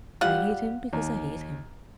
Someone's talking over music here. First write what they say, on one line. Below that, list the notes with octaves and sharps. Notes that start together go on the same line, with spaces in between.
I hate him because I hate him.
G3 F4 G4 F#5
D#2